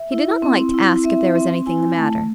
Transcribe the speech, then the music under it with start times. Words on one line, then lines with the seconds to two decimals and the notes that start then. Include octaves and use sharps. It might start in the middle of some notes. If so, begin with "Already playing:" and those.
He did not like to ask if there was anything the matter.
Already playing: E5
0.12 E4
0.42 C4
0.74 E4
1.04 C4 E5
1.35 C4
1.66 E4 G#5
1.90 G#5
1.97 A3 A5